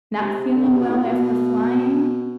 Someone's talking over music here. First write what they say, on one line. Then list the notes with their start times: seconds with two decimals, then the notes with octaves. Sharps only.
not feeling well after flying,
0.21 C3
0.55 D3
0.63 C#3
0.71 C3
0.79 B2
0.90 A2
0.99 A#2
1.07 B2